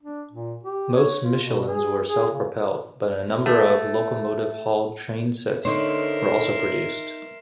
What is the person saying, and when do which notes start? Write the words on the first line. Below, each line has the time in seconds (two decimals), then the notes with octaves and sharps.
Most Michelines were self-propelled, but a number of locomotive-hauled trainsets were also produced.
0.03 D4
0.31 A#2
0.63 G4
0.94 C#5
1.22 F4
1.43 B2
1.68 G#4
2.06 G#4
2.33 C#3
3.46 A3
5.65 D3 B3 D#4 A#4 C5 C#5 E5 C6